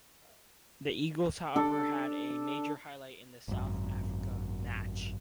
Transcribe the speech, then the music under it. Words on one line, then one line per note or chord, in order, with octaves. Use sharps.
The Eagles, however, had a major highlight in the South Africa match.
D4 A4 D5
G#1 F#2